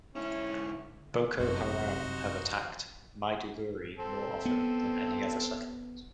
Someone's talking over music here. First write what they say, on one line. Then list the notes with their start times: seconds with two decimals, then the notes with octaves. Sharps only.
Boko Haram have attacked Maiduguri more often than any other settlement.
0.16 G#2 C#4 E4
1.39 G1 F#2 C3 D#4 F#4 C5
3.98 C4 A4
4.45 B3